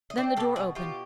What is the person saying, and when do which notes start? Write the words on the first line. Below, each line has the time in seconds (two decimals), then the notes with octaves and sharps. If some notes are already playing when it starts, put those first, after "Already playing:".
Then the door opened.
0.10 D#5
0.17 C4 C5 D5
0.37 B2 G4 A4
0.56 B2 F#4 G#4
0.75 B2 F4 G4